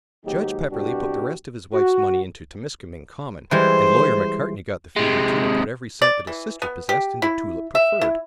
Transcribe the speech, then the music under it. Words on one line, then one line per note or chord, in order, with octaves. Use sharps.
Judge Pepperleigh put the rest of his wife's money into Temiskaming Common, and Lawyer Macartney got the fever, too, and put every cent that his sister possessed into Tulip Preferred.
D#2 G#2 F#3 D#4 G4
C2 G2 B2 D4 F#4 G4
F#4
E3 G3 G#3 C5
C3 G#3
D5
E3
B3
G4
E4
E5
E4